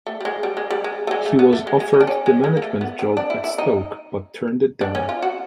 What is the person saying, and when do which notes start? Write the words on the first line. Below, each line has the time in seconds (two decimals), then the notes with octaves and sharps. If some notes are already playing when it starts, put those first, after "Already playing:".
He was offered the management job at Stoke but turned it down.
0.07 A3
0.21 G3
0.25 G#3
0.43 G3
0.57 G#3
0.70 G3
0.84 G#3
1.07 A3
1.11 G#3
1.26 A3
1.39 B3
1.53 A3
1.67 G#3
1.80 G#3
1.94 G#3
2.01 D4
2.07 C#4
2.26 G#3
2.44 G#3
2.57 A#3
2.62 A3
2.81 B3
2.99 C4
3.17 D4
3.30 E4
3.44 E4
3.58 D#4
4.81 D4
4.95 C#4
5.09 F4
5.22 F#4